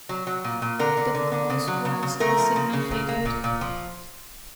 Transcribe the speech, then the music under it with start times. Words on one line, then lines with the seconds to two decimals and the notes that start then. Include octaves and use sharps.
The cause was a signal failure.
0.09 F#3
0.27 F#3
0.44 A#2
0.62 A#2
0.79 D3 A#4
0.97 D3
1.15 D3
1.32 D3
1.50 C#3
1.67 F#3
1.85 C#3
2.03 C#3
2.20 A3 A#4
2.38 F3
2.56 C#3
2.73 C#3
2.91 A#2
3.08 A#3
3.26 A#2
3.44 A#2
3.61 F3